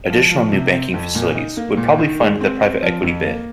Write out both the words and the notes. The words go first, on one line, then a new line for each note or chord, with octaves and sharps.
Additional new banking facilities would probably fund the private-equity bid.
F3
F3
C3
C4
F2
A#2
D#4
A#3
A#2
D#3
G#3
C4
C4
F3
F2
A#3